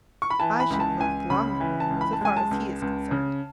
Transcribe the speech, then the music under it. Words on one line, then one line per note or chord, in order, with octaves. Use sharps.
I should have left long ago, so far as he is concerned.
C#6
B5
E3 A5
B5
C#2 B5
A5
C#2 G#5
C#3 B5
E3 B5
A5
C#2
B5
A5
G#3 G#5
A5
C#2
C#2
C#3